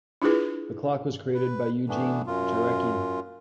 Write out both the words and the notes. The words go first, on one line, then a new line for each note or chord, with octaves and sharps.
The clock was created by Eugene Jarecki.
D4 E4 F4 G#4 B4
B4
E3 A3 B3 D4
F#2 F4